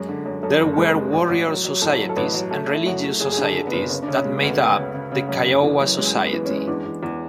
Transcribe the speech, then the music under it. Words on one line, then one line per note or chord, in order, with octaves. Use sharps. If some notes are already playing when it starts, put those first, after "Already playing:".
There were warrior societies and religious societies that made up the Kiowa society.
Already playing: F#2 G#3
D3
F#2
F#2 A4
F#1
A4
G#3 B4
G#3
A1
A1
F#3
F#3
A2 A4
F#3
A4
A1 B4
F#3
A3 A4
A3
E4
F#2 F#4
A3
F#1 G#4
G#4
D3
A4
D3
B3
F#1
B3
C#3 C#4
D4
C#3 C#4
G#3
B3
D2
C#3 B3
C#3
C#3
C#3
F#2
F#1
E3
F#2
G#3 C#4
G#3
B3
E3
C#4
G#3
C#4
E2 D4
E2
E2